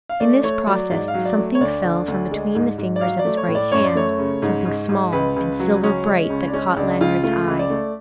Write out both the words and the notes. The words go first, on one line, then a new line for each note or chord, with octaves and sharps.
In this process something fell from between the fingers of his right hand--something small and silver-bright that caught Lanyard's eye.
F5
A3 D5
A3 C#5
F#3 D5
G#2 D5
F5
F#3
D5
A3
C#5
D2 D5
D3
D2
G#3
G#2
G#2
D5
F#3 F5
D5
A3
C#5
A2
D5
F#2 C#5
D5
A3 C#5
C#3
G#2
G#2
G#2
C#2 B4
C#2
F#3
C#2 C#4
G#3
C#2
D4
G#3 C#4
C#2 D4
C#2 F4
A3 F4
C#2
D5
A3